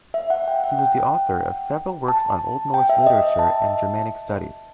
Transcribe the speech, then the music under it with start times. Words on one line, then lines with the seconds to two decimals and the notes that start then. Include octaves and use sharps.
He was the author of several works on Old Norse literature and Germanic studies.
0.14 E5
0.30 F#5
0.48 G5
0.63 F#5
0.79 G5
2.08 A5
2.74 G5
2.89 E5
3.06 D#5
3.22 E5
3.39 A5